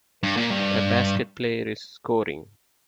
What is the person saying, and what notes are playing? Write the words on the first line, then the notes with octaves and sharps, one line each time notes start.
A basket player is scoring.
G2
A#2
G2